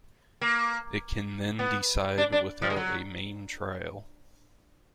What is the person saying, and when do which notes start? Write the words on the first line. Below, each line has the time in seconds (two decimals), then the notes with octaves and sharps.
It can then decide without a main trial.
0.41 A#3
1.59 B3
2.18 D4
2.32 D4
2.62 F3
2.70 G#3
2.76 F#3